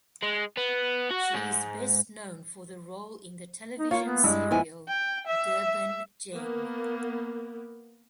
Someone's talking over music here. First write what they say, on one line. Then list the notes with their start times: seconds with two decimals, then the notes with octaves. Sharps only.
She is best known for the role in the television serial "Durban Gen".
0.22 G#3
0.57 B3
1.11 F#4
1.34 G#2
3.79 D#4
3.91 A#3 F4 C#5
4.05 B3
4.24 G2 G#3 E4
4.51 F3 B3 E4 G#5
4.88 G5
5.27 E5
6.34 A#3 B3